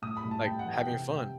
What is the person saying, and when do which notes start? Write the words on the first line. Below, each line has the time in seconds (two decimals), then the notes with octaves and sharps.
like, having fun,
0.02 A2 D#6
0.17 B5
0.24 A2
0.31 A5
0.44 A2 G5
0.59 F#5
0.66 E3
0.73 G5
0.88 C3 G5
1.09 C3